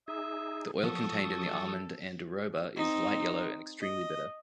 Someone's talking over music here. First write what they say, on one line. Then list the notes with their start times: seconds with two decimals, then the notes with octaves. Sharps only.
The oil contained in the almond andiroba is light yellow and extremely bitter.
0.08 D#4 G#4 E5
0.84 F3 F#3 F#4 A4 C#6 D#6
2.77 C4 D#4
3.81 D#5